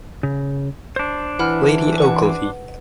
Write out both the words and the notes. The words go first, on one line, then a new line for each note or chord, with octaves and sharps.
Lady Ogilvy.
C#3
D4 C5
E3 F#5 B5 F6
B4 F#5